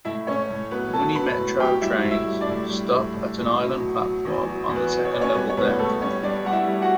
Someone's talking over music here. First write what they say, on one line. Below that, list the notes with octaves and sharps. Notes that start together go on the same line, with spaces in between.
Muni Metro trains stop at an island platform on the second level down.
A2 E4 E5
A2 C#4 C#5
A2
F#3 B3 B4
F#3 A4 A5
F#3 B4 B5
A2
F#3 G4 G5
G3 E4 E5
A2
E4 E5
G3
D4 D5
A2
G3
A2
A2
A2
B2
F#3
F#3
E2
F#3
E2
B3 B4
F#3
C#5
B2 D5
C#4 C#5
G3 B3 B4
C#5
A2 B3 B4
A2 A3 A4
G3 C#4 C#5
G3 D4 D5
G3 F#5
E4 E5
G3
F#4 F#5